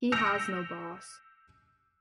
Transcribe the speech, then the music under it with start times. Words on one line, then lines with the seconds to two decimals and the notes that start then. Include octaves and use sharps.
He has no boss.
0.12 E6 G6 A#6 C#7 D7 F7